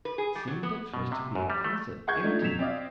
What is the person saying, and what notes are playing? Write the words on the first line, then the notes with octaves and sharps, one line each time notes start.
It seemed at first to be a closet, empty.
B4
G#4
G3
F#3
B3
B2
C3
F#2
G3
A3
G#4 F#5 C#6 G6 G#6
A3 D4 D#4 F4
B2 F#3 B6 E7 F7
C4 D5 D#5 F5